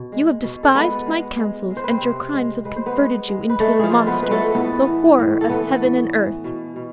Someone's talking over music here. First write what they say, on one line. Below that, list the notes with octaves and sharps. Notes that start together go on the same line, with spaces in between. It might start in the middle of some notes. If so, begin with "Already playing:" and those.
You have despised my counsels and your crimes have converted you into a monster, the horror of heaven and earth.
Already playing: B2
G#3
B2
A4
G#3 B3 B4
G#3
G#3
G#3
C5
B4
C4 C5
C3
G#3
G#3 B4
C5
B3 B4
G#3
G#3
B4
G#3 A3 A4
F3 F4 G#4
G#3
B3 B4
G#3 B4
A3 A4
A2 B3 B4
E3
A2
A4
E3 B3 B4
A2
E3
B2
B2